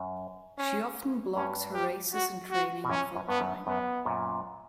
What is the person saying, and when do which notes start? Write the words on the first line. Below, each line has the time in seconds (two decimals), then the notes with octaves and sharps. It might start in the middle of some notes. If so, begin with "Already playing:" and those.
She often blogs her races and training for Time.
Already playing: F#2
0.58 C#4
1.35 G2 C#4
1.74 G4
2.13 F#4
2.52 F#4
2.84 B2
2.90 F#2 A#2 C#4
3.15 F#2
3.28 G2 B3
3.41 F#2
3.67 F#2 B3
4.05 F#2 A#2